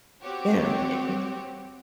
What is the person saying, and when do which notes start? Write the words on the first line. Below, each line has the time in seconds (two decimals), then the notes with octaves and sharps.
Yeah, y yeah,
0.22 C4 F#4 G4 C#5